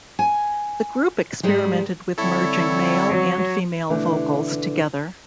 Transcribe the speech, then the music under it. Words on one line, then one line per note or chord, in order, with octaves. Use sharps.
The group experimented with merging male and female vocals together.
G#5
G#2 G3 G#3
D3 G3 C4 E4 A4 C#5
F#3
B2 D3 E3 A3